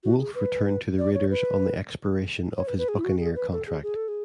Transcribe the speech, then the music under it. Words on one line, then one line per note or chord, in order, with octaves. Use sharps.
Wolf returned to the Raiders on the expiration of his Buccaneer contract.
F#4
G#4
B4
D5
C#5
B4
C#5
B4
B4
G#4
E4
F#4
G#4
B4
A4
G#4
G#4
A4
G#4